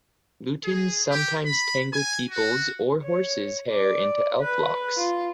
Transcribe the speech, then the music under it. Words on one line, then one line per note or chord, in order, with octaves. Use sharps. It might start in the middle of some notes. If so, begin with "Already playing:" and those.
Lutins sometimes tangle people's or horses' hair into elf-locks.
G#4
G4
B5
G#5
F#4
C#5
D5
B4
F4